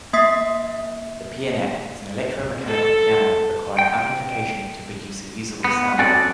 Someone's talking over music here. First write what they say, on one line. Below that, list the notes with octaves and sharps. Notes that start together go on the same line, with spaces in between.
The Pianet is an electro-mechanical piano requiring amplification to produce a usable sound level.
A#3 E5 D#6 B6 C7
A4
G5
B3
C4 C#4 F#4 A4 D5 F#5